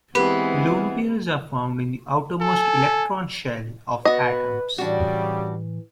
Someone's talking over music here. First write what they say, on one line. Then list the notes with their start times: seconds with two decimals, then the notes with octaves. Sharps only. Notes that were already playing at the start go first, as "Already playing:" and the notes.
Lone pairs are found in the outermost electron shell of atoms.
0.15 E3 G#3 B3 C4 G4 B4
2.41 A4 G#5
4.05 B3 F#4 B4 D#5
4.78 A2 C#3 E3 G3 D4 F#4